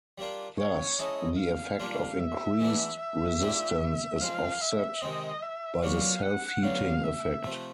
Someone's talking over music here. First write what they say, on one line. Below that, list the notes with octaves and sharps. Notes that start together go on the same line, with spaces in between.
Thus, the effect of increased resistance is offset by the self-heating effect.
G3 A#3 D4 F4
C#5
G#3 C#4 E4 A4 D#5
F5
A#2 G3 A#3 D4 F4
E5
E3 G#3 B3 D4
E5
F3 A#3 D4 G4
F3 G#3 C4 F5
E5
C3 D#3 G#3 C4 D#5
E5
A#2 F#3 B3 D4 F#4 F5
F#5
D3 F#3 B3 F5
E5
C3 F3 A3